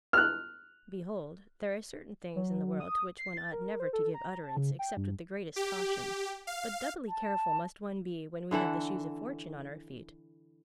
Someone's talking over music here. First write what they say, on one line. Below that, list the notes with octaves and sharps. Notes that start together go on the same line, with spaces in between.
Behold--there are certain things in the world to which one ought never to give utterance except with the greatest caution; but doubly careful must one be when we have the Shoes of Fortune on our feet.
F6 F#6
F#3
D#6
C7
A6
A#4
C5
A4
A#5
A5
C#3
G5
G2
G4
F5
A5
D3 E3 A4 F#5